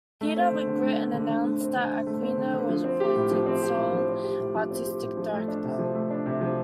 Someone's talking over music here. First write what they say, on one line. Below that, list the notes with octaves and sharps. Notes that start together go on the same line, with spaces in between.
Theatre with Grit and announced that Aquino was appointed sole artistic director.
A3
C4
D3
D3
A3
C4
D3
D3
A3
C4
D3
D3
A3
C4
D3
D3
F3
C4
G4
A2
F3
C4
G4
A2
F3
C4
G4
A2
F3
C4
G4
A2
F3
A3
D4
C3
F3
A3
D4
C3
F3